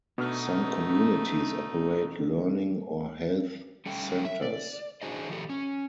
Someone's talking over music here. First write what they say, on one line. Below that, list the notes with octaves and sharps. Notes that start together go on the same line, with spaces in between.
Some communities operate learning or health centers.
B2 A3 B3 D4 D#4 F6
G3 A3 C#4 A4 G5
E5
D5
D4 E4 F#4 G#4 C5 D#5
D#3 F3 G4 A4
C#4